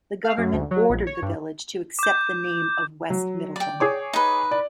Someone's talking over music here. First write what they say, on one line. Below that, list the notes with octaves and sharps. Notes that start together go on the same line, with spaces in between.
The government ordered the village to accept the name of West Middletown.
F5
F#2
D2
F#3
A#1
C#5
G2
D6 G6
F#3
D5 G5
G#4 C#5 D6
D#4 B4
D5